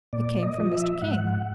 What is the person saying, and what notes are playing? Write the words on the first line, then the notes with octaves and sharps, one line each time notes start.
It came from Mr. King.
A#2 D5
D#5
F3
E5
G#2 F#5